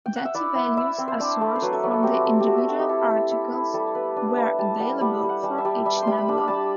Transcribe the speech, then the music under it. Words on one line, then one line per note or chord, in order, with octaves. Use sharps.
Data values are sourced from the individual articles, where available, for each nebula.
G5
F#5
E5
E4 D5
E4
E4 E5
C4
C5
D4 D5
A3
C5
F#3 B4
A4
F#3 B4
A4
C4 G4
F#4
A3 G4
G4
A3 F#4
E5
C4 F#4
G4
E4 A4
E4
E4
E4
G3 A4
B3 B4
D4 B4
G3
G3 A5
G3 F#5
G3 F#5
G3
F#5
G3 A5
E5
G3 D5
G3 E5
G5
C6
G3 B5
B5
D4 A5
B5
G3 A5